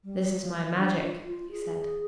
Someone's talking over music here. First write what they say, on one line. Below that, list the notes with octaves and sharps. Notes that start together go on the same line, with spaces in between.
"This is my magic," he said.
G3
F3
D4
F4
F4
G#4